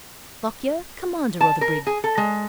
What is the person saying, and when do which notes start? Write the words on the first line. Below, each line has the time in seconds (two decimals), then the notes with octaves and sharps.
Lockyer, commander of the brig.
1.41 A5
1.61 A#4
1.87 G#4
2.04 A4
2.18 G#3